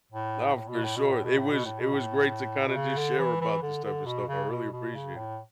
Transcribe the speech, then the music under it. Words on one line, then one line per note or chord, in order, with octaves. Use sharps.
Naw. For sure. It was it was great to kinda just share about this type of stuff. I really appreciate it.
A2
A2
B2
A2
B2
A2
B2
A2
B2
A2
B2
A2
B2
C#3
D3
E3
E3
D3
D3
B2
C#3
B2
B2
C#3
A2